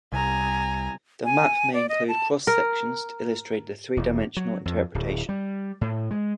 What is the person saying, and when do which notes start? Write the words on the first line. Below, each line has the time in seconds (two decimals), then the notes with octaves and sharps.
The map may include cross sections to illustrate the three-dimensional interpretation.
0.13 C2 G#5 A#5
1.25 G#5
1.74 D5
1.89 D#5
2.08 A5
2.47 A#4
3.97 E1
4.37 F#3
4.65 F2
4.95 D1
5.29 G3
5.81 A2
6.11 G#3